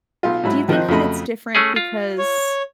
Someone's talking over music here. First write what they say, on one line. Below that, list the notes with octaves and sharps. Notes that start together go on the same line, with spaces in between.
Do you think that it's different because
B1 F4
G#2 F#3 E4 B5
D#3 F3 C4 D#4 D#5 F#6
F2 C#3 F#3 A3 D#5 B5
A3 C#4 G#4
F4
C#5